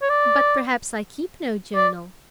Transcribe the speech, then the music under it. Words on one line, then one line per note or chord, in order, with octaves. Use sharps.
"But, perhaps, I keep no journal."
C#5
D5
D5